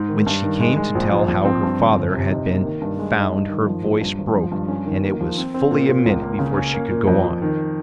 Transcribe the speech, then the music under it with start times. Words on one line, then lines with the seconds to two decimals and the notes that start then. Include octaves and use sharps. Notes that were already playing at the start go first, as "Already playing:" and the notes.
When she came to tell how her father had been found her voice broke and it was fully a minute before she could go on.
Already playing: G#2
0.09 D#3
0.26 G2
0.43 D#3
0.60 G#3
0.77 G#3
0.95 A#1
1.12 F3
1.28 F3
1.45 C4
1.63 G2
1.79 G1
1.96 G1
2.14 C3
2.30 D#4
2.48 A#3
2.65 D#3
2.82 G2
2.99 G#3
3.16 D#4
3.32 G2
3.50 D#3
3.67 F3
3.84 A#1
4.01 G2
4.18 G#1
4.35 F3
4.52 G2
4.68 C#4
4.86 D#3
5.03 A#3
5.21 F3
5.38 C4
5.54 C4
5.71 A#2
5.88 A#2
6.06 C#2
6.22 A#3
6.39 C#3
6.57 C#4
6.74 A#3
6.91 A#2
7.07 F2
7.24 F2
7.42 D#3